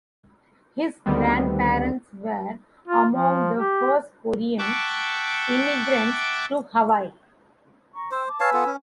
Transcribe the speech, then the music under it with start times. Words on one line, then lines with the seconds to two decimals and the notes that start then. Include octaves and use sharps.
His grandparents were among the first Korean immigrants to Hawaii.
1.06 D2 D3 D#3 G3 B3 C4
2.88 F4
3.12 F3
3.58 G4
4.59 E5 F#5 G5 A5 C#6 D6
7.94 A#5 C#6
8.11 C5 G5 E6
8.26 A5 D6
8.40 B4 C#5 F5 G#5 A5 E6
8.53 B3 F4 A4
8.66 C#4